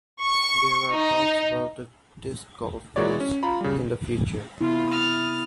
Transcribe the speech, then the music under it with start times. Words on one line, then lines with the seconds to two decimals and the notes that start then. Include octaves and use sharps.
There are talks about a disk golf course in the future.
0.23 C#6
0.91 D#4
2.96 E3 G#3 F#4 C#5 D5
3.20 C#4
3.43 F4 A#5 B5
3.61 C#3 G3
4.61 C3 B3 E4 F4
4.89 D#6 F6 A6